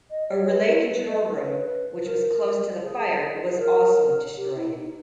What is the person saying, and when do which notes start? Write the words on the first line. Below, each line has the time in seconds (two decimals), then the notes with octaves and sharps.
A relay control room which was close to the fire was also destroyed.
0.10 D#5
0.29 C#5
0.48 B4
0.67 E4
0.88 B4
1.07 D#5
1.25 B4
1.35 C#5
1.43 B4
1.92 B4
2.04 A#4
2.81 G#4
3.58 A#4
4.36 G4
4.54 E4
4.74 D#4